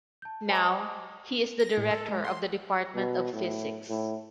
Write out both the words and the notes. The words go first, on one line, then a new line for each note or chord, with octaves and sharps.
Now, he is the director of the Department of Physics.
A5 G6
C5 D#5 G#5 A5 C6 D6
A#6
A2
A4
G#3
C6
B2
A2
A2